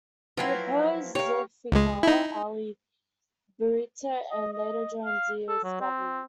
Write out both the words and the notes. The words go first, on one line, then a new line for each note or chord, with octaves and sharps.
He opposed Zulfikar Ali Bhutto and later joined Zia's government.
F3 F#3 E4 B4 G5 C6
G4 A#4 C#5 F5
C#2 G#3
D#4 E4
D#5
D#5
F5
A4
F#3
C4